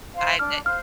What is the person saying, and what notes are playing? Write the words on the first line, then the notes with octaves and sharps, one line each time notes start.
I bet.
C5 F5
D4 F6
C5 F5 F6